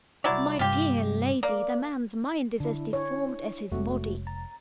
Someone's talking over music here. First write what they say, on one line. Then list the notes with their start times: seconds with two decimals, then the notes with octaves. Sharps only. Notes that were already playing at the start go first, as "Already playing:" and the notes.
My dear lady, the man's mind is as deformed as his body.
0.24 C2 F#3 E4 C#5 D5
0.59 G2 C3 F4 G4
1.43 A#3 D5
2.60 D3 D4 E4
2.93 C#5
3.72 F1 G#3 A3 C4 F#4
4.27 A#5 A6